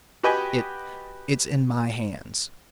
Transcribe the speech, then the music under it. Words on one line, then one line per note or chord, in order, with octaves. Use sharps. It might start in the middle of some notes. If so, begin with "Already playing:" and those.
It--it's in my hands.
F#4 G4 B4 D#5 G5 G#5